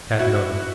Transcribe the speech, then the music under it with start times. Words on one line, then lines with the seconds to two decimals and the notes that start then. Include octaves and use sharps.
Tad nodded.
0.19 E4 F#4